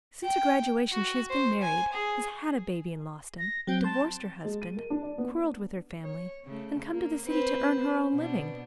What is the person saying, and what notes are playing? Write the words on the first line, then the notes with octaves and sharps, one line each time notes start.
Since her graduation she has been married, has had a baby and lost him, divorced her husband, quarreled with her family, and come to the city to earn her own living.
G5
F#4
C5
G#5
G#4
A#6
F#3 C4 G5
A5 C6
G#3
D#7
A#4
D4
D5
B3
C#5
C#3 A3
A#3
C4 B4 C5
B2 B3 D4